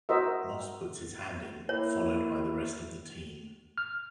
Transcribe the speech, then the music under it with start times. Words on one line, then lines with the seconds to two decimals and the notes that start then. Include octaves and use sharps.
Moss puts his hand in, followed by the rest of the team.
0.09 F#4 A#4 C5 D#5 E5
1.69 A#3 E4 C#5
3.78 F6